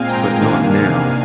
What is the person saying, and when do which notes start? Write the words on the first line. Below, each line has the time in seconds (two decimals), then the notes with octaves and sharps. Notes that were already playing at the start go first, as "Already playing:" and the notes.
But not now.
Already playing: A#2 G#3 C4 F5 G#5
0.08 G5 A#5
0.40 C3 D#3 A#3 D4 F5 G#5